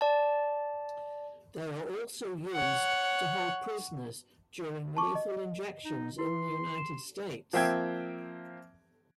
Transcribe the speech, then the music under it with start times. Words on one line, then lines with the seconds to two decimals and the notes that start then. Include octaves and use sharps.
They are also used to hold prisoners during lethal injections in the United States.
0.01 D5 A5
2.53 C#5 F#5
4.97 A5 C#6 D6
5.15 D#5
5.85 D#4
6.19 E4 B4 C6
6.78 E7
7.53 F3 A#3 C4 E5 G5 G#6